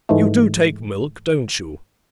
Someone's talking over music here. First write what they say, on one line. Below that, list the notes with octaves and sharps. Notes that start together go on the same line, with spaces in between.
You do take milk, don't you?
G#2 E3 G#3 A3